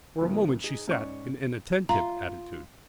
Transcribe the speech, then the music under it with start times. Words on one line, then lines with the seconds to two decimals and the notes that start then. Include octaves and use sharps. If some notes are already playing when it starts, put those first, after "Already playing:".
For a moment she sat in an attentive attitude.
0.21 D2 A2 F3 F#3 A#3 B3
0.63 D#4 G#4
0.88 G#2 C#4 D5 C#6
1.89 F4 A#5